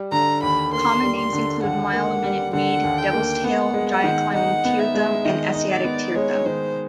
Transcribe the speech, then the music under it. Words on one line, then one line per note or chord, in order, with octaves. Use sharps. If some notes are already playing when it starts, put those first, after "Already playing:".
Common names include mile-a-minute weed, devil's tail, giant climbing tearthumb, and Asiatic tearthumb.
Already playing: G3
D3 A#5
D#2 B5
A#3 C6
G3
C6
D3
D#2 F#5
A#3
G3
D3 F#5
D#2
G5
A#3
B3 F#5
G#3
F#5
D#3
D#4 F#5
B3
E5
G#3
D#3 D#5
D#4
D5
B3
G#3 C#5
D#3 C5